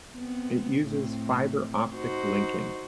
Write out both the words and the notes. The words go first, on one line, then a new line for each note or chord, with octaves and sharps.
It uses fiber optic linking.
B3 C4
A2 C4
D#4 F#4 C5